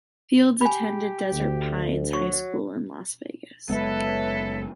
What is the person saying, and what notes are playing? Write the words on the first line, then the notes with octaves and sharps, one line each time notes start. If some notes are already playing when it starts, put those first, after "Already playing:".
Fields attended Desert Pines High School in Las Vegas.
G4 G#5 B5
D2
F#3 C#6
F#1 G#3 B3 A4 B4 C#5 E5